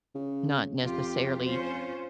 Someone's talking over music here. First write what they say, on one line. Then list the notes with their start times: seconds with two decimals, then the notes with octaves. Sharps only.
not necessarily
0.15 C#3
0.83 F2 F4 G4
1.45 C#4 F4 C5